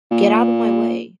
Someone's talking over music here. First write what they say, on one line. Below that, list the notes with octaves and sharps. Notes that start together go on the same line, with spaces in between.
Get out of my way!
A#2